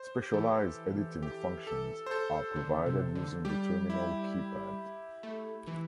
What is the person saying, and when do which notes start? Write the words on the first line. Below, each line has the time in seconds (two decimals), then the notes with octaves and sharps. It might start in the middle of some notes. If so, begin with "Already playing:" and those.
Specialized editing functions are provided using the terminal keypad.
Already playing: C5
0.22 G4
0.34 E3 A4
1.23 G4
1.67 A4
2.06 C5
2.11 A4
2.56 D3
2.86 C3
3.15 D3
3.45 G3 G4
3.90 E4
5.23 A3
5.68 E3